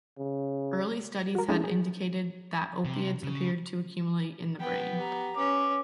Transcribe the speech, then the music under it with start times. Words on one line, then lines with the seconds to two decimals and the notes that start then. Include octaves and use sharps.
Early studies had indicated that opiates appeared to accumulate in the brain.
0.19 C#3
1.35 F#4 A#4
1.48 G#3 A3 C#4 D4 E4
1.64 G#4
2.85 C3
3.23 C#3
4.59 B3 B4 G5
4.97 G4 A#5
5.36 C#4 B4 D6